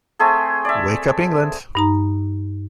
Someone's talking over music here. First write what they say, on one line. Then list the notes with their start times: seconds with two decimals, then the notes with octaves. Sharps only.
Wake up England!
0.19 A3 C4 G#4 A4
0.65 D5 E5
1.75 G2 D#4 A#5